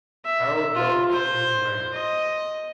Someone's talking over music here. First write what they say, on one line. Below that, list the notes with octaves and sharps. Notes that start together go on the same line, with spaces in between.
Harold Jones in command.
E5
F4
C5
D#5